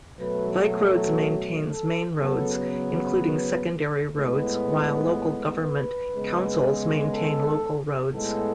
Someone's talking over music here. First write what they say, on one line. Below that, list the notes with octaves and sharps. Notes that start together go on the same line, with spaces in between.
Vicroads maintains main roads, including secondary roads, while local government councils maintain local roads.
B2 F#3 A3 B4
A4
A4
C#3 F#3 B3 A4
B4
A2 G#3 B3 B4
B4
C#3 G#3 B3
A4
A2 G#3 B3 A4